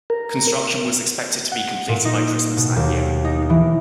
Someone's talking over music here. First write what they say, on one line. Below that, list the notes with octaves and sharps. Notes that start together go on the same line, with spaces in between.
Construction was expected to be completed by Christmas that year.
A#4
F#5
A#2
D#4
B2
D#2
D#4
E3